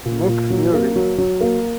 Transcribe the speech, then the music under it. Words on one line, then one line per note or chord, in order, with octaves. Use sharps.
Nick Fury.
A#2
A#2
F#3
A#3
F#3
F#3
A#3